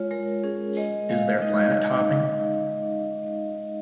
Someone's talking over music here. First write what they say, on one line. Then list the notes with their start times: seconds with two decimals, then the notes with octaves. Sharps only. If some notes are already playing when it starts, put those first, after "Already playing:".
Is there planet hopping?
Already playing: G#3 F4 C#5
0.11 G#3 A#4
0.44 C#4 G#4
0.77 G#3 D#5
1.09 G#3 F5
1.42 D#4 D#5
1.75 D#4